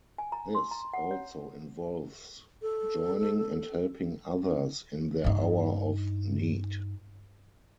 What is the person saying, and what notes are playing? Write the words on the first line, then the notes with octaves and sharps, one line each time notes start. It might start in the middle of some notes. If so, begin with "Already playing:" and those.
This also involves joining and helping others in their hour of need.
G#5
A#5
C6
A#5
F#5
C#5
A4
G2 D#4